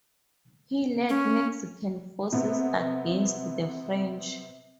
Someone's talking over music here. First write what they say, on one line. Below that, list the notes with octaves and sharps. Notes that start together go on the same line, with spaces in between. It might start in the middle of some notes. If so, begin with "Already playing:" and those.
He led Mexican forces against the French.
C#4
C3 B3